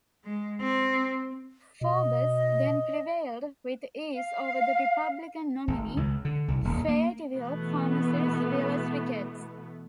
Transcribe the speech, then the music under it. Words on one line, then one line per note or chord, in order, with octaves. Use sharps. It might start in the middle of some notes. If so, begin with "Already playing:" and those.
Faubus then prevailed with ease over the Republican nominee, Fayetteville pharmacist Willis Ricketts.
G#3
C4
B2 D#5
F5
G#1
C#2
D3
C2
D#1
A#3
B2 E3 A3 B3